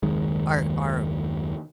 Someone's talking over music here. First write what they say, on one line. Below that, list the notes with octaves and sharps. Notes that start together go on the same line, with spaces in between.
our our
F#1 D#2 D#3 G#3